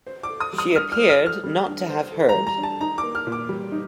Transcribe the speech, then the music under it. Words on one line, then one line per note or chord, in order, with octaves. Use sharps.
She appeared not to have heard.
C5
D6
A4
D#6
G3
D#6
D4 F6
F6
C5
F6
A4
F6
G3
D4
C5
A4
A#5
G3
A#5
D4
A5
D#4 A#5
D6
A#3
F6
A#2
D6
G3
D#4